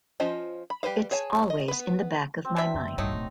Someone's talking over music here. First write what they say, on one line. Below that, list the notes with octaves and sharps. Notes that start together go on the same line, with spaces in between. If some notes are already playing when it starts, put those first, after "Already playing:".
It's always in the back of my mind.
F3 C#4 F4 C5 D#5
B5
G3 G4 B4 C5 F5
G#4 C#5 G#5 A5
D#5
B3 B4
C4
B2 D4 E5
F#2 D3
A1 G2 F#3 A3 D#4
D1 B1